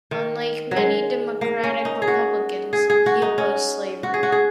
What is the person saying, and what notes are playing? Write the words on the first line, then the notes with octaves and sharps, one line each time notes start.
Unlike many Democratic-Republicans, he opposed slavery.
D#3
F#3
G#3
A#3
C#4
D#4
G#4
F#4
G#4
G#4
F#4
D#4
C#4
F#4
G#4
F#4
G#4